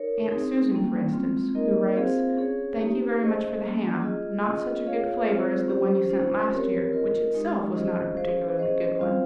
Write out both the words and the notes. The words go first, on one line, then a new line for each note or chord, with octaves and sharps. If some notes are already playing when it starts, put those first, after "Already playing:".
Aunt Susan, for instance, who writes: ‘Thank you very much for the ham; not such a good flavour as the one you sent last year, which itself was not a particularly good one.
Already playing: D#4 A#4 C#5
C4 D#4 G#4
G3 A#3 C#4
G#3 C4 F4
A#3 D#4 A#4 D#5
C4 F4 G#4 C5 F5
C#4 G#4 C#5
A#3 D#4 G4
C#4 G#4 C5 D#5
G3 A#3 C#4
F4 G#4 D#5
C#4 F4 G#4 D#5
F4 G#4 C#5 F5
G#3 C4 F4 G#4 C5
C#4 G4 C5
C#4 F4 C5
C4 G4 A#4 C#5
F4 A#4 D#5
G#3 D#4 G4
C#4 F4 G#4 C5 D#5
C#4 G#4 C5 F5
C#4 G#4 C5 D#5
G3 C4 F4 C5 F5